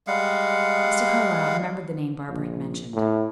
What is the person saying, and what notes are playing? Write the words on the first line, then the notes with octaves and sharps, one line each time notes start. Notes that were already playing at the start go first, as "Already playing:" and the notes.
Mr. Carlyle remembered the name Barbara had mentioned.
G3 G#3 F5 F#5
A#1
A2